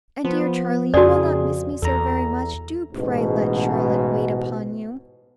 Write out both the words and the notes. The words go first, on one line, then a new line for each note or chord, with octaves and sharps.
'And, dear Charlie, you will not miss me so very much; do pray let Charlotte wait upon you.'
F3 B3
F2 C#3 F#4 G#4 D5
E2 A4 A#5
A1 G#2 B2